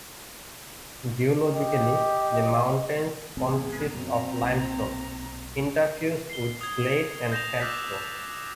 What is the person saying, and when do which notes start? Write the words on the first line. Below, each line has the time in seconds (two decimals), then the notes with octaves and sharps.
Geologically, the mountains consist of limestone, interfused with slate and sandstone.
1.50 G4 D#5
3.37 D#1 A1 B3 C4 G#4
3.94 F#2 B2 C4 A#5
4.42 B1 A#2
6.30 C7 G7
6.61 D#6 G#6
7.32 G6 A#6 E7 F7
7.60 D6 E6 F#6 G6 A6 B6